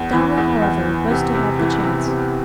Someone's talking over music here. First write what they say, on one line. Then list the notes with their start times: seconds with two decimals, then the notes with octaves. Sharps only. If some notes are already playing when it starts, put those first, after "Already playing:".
Dolly, however, was to have the chance.
Already playing: E2
0.13 E3
0.37 E2
0.62 E2
0.86 E3
1.11 C3
1.34 C3
1.59 E3
1.83 C3
2.08 C3